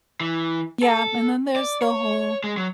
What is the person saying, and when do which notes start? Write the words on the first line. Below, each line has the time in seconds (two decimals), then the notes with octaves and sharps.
Yeah, and then there's the whole
0.21 E3
0.83 A4
1.56 D5
1.82 C#5
2.44 G#3
2.57 F#3